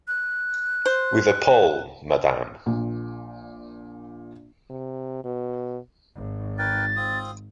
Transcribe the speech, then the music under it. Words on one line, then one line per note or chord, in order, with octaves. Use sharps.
With a pole, madam.
F#6
C5
A#1 A#2
C3
B2
G#1
A#4 B4 G5 A6
C4 F4 D#6